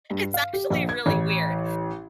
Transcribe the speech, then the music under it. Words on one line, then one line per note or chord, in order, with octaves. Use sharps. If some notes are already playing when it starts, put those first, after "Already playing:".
It's actually really weird.
G2
F5
G4
A#1
G#6
A1